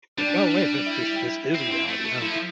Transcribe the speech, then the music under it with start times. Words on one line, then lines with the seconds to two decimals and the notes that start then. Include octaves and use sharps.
Like, "Oh wait th this this is reality, huh?"
0.18 G3 D4
0.86 E4
1.54 C4
1.71 C4
1.88 A3
2.05 A3
2.21 F3 E4